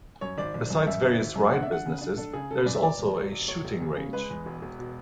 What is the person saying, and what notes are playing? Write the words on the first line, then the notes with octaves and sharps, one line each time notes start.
Besides various ride businesses there is also a shooting range.
F#2 C#5
G#1 D5
G#1
F#2
F#2 E5
D3
G#1
F#2
D4 F#5
E5
D4 F#5
C#3
D4
D4 A4
C#3 G#4
C#3 A4
B4
F#2 D5
E5
E1 D5
E2
E1
E1
E1 C#5
E1
E2
C#3
G#3 B4
E2
E1
E1
B2